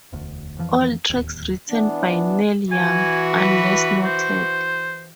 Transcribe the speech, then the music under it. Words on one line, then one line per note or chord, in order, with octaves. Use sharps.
All tracks written by Neil Young, unless noted.
E1 D2
F2 E3 F3
D1 D#2
E3 B3 D4
E3 F#4 G#5
B4
C5